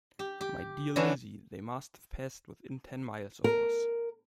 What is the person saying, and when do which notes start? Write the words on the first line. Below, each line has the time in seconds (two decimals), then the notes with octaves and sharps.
My dear Lizzy, they must have passed within ten miles of us.
0.19 G4
0.41 G4
0.96 D3 E3 C#4 D4 E4 F#4
3.44 A#4